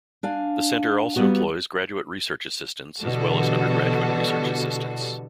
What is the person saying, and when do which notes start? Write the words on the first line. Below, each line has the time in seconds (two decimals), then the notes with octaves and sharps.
The Center also employs graduate research assistants as well as undergraduate research assistants.
0.23 D4 F5 G#5
1.16 G3 A#3 B3 F#4
3.02 B2 D3 E3 G3 F#4 A4